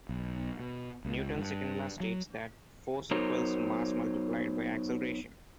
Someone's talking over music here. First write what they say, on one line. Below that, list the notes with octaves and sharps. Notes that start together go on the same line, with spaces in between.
Newton's Second Law states that force equals mass multiplied by acceleration.
B1
B2
C#2
G2
F#3
F#3 B3 D#4 A#4 C5 C#5